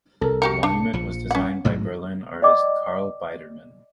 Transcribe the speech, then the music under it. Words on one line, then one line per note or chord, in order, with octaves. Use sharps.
The monument was designed by Berlin artist Karl Biedermann.
C2 A4 A#4
F#4 G4 A#4 C#7
D4
A#1 F3
C#4 F#5
A1 G#2 F#3
D5 D#5 G5 D6 E6